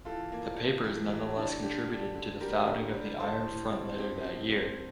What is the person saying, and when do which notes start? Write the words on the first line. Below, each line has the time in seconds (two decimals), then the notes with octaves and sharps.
The papers nonetheless contributed to the founding of the Iron Front later that year.
0.05 E3 F4 A4
0.32 A#3
0.58 A#3
0.84 E3 G4
1.10 E3
1.36 D4
1.62 D3 G4
1.89 D4
2.15 D3
2.41 G3 G4 A#4
2.67 D3
2.94 G3
3.19 A2 A4 C5
3.46 A2
3.72 C4
3.98 C4 G4
4.24 C4
4.51 C4